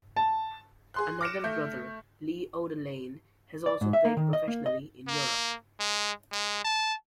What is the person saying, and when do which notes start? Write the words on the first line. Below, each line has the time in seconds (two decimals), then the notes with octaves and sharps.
Another brother, Lee Odelein, has also played professionally in Europe.
0.16 A5
0.94 G#4 C6 F#6
1.21 D6 F6 A#6 C#7 D7 E7
1.44 A3 G6
3.66 D5
3.81 G#2
3.93 E5
4.05 A#3
4.17 D#3
4.33 D#5
4.48 A#3
4.66 D#5
5.08 A#3
5.80 G#3
6.32 G#3
6.64 A5